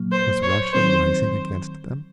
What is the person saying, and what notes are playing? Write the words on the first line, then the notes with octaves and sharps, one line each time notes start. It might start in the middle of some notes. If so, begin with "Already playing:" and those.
Was Russia rising against them?
Already playing: A#2 F#3 A#3
C5
C#5
D#3 F#3 C4 C5